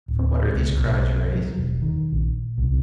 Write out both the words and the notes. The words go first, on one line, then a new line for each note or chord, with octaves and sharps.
'For what are these cries raised?
D1
C#2
B1
F#3
E1
D#3
A#1
C2